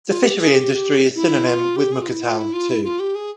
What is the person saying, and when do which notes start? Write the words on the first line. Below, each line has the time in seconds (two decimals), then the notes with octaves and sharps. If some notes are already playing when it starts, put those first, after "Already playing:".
The fishery industry is synonym with Mukah town too.
0.08 F4
0.23 G4
0.38 G#4
0.54 G4
0.74 G4
1.15 E4
1.46 F4
1.76 G4
1.92 G#4
2.02 F4
2.08 E4
2.23 F4
2.38 E4
2.53 F4
2.69 E4
2.84 F4
2.99 G4
3.15 G#4